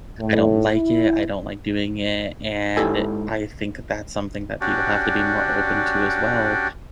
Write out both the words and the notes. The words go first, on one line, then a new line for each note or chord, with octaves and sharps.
I don't like it, I don't like doing it, and I think that's something that people have to be more open to as well,
A2
E4
G#2 E4 G4 A4 G#5
C#4 D4 F#4 G4 D5